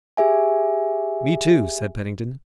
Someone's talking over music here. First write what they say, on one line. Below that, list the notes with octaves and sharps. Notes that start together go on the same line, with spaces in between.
"Me, too," said Pennington.
G4 G#4 E5 G#5